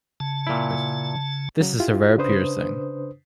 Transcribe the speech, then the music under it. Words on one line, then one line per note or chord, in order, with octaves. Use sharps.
This is a rare piercing.
C#3 A5
A#2 E4
C#3 F#3
E4 F4 G4
C#3 D4 B4 C5 D#6